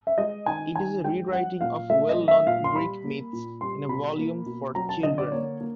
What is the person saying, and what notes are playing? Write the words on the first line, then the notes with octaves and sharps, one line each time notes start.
It is a re-writing of well-known Greek myths in a volume for children.
E5
G#3 D#5
D#3 G#5
D#3 G#5
G#3 G5
F#3 F#5
A#2 F5
A3 E5
D#5
F#3
E5
A#2 F5
C6
G3 B5
A#3
A#2
G3 C6
B2 B5
A#3
B2
F#3 A#5
A5
D3 D#5
D5
A#3 C#5
A#3